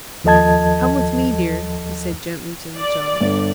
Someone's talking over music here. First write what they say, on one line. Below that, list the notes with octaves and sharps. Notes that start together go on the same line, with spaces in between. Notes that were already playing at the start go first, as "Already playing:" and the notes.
"Come with me, dear," he said gently to the child.
D#2 F3 A4 D#5 A5 G#6
D5
G1